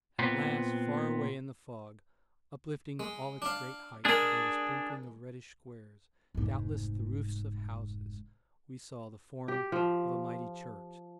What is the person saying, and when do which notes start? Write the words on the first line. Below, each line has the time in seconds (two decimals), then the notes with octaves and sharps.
At last, far away in the fog, uplifting all its great height above a sprinkling of reddish squares, doubtless the roofs of houses, we saw the form of a mighty church.
0.19 A#2 B3 C4
2.99 G#3
3.42 D4 F5
4.05 G#3 D4 G#4 A#4
6.35 F1 G#2
9.48 G4
9.72 F3